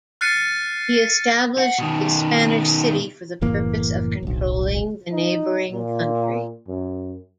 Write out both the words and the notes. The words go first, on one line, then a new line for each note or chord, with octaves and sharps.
He established a Spanish city for the purpose of controlling the neighboring country.
F6 F#6 A6 C7 C#7 D#7
F#5
B2 D#3
F#1 A2 E3 A#3
D1 B1
D#4
A#2
F#2